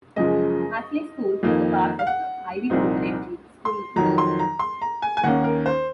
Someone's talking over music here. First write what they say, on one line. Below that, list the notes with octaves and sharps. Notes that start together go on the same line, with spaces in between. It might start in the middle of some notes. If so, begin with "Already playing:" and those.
Hackley School is a part of the Ivy Preparatory School League.
F#2 C#3 F3 G#3 D#5
F2 D#3 A#3 D#4
F5
F#5
C2 A#2 F3 C4 D#4
C6
F2 D#3 F#3 A#5
C6
A#5
C6
A#5
G#5
G#5
D#2 D#3 A#3 C#4 F#5
A#4
C5